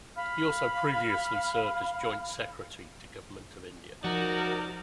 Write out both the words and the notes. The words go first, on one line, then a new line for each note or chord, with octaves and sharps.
He also previously served as Joint Secretary to Government of India.
F5 B5 F6
F3 D#4 F#4 A#4 D5